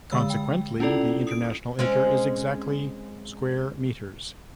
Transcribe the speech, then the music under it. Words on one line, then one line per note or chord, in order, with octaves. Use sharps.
Consequently, the international acre is exactly square metres.
D3 G#3 E6
G5
C#4 E4 F4 A4 D5
D#6 D7
G#3 C4 C#4